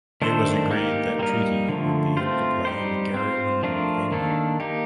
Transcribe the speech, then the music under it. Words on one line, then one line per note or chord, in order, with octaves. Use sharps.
It was agreed that Treaty would be able to play in the Garryowen venue.
D#3 A3 D4 A4 C5
A#3 D#4 G4 A#4
G3 A#3 D#4 A#4
D3 F3 A3
A3 C4 F4 C5
G3 C4 D#4 G4 C5
C4 F4 C5
F3 A3 D4 F4 A#4
D#3 A#3 D4 A4
A#3 D#4 G4